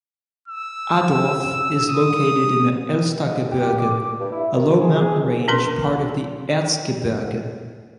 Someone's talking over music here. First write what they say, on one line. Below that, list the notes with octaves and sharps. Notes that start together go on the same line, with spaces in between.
Adorf is located in the Elstergebirge, a low mountain range, part of the Erzgebirge.
E6
D#6
D#5
G4
D6
G2
E4
D#3
G#4
G#4
C2
C#4 D4 A#4 B4 C6